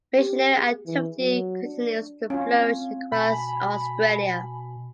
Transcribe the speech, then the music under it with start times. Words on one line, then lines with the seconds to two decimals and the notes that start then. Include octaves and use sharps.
Missionary activity continues to flourish across Australia.
0.18 G4
0.55 G#4
0.86 E3
1.19 F#3
1.63 D4
2.30 C4 C#4 F4 F5
3.12 B2 G#5 A5 B5